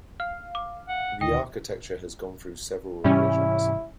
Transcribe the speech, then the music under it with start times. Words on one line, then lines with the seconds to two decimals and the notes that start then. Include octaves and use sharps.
The architecture has gone through several revisions.
0.20 F5 F6
0.55 D6
0.88 F#5
1.21 D2 D#3 D#5 G5
3.04 G#2 C3 E3 G3 C#4 E4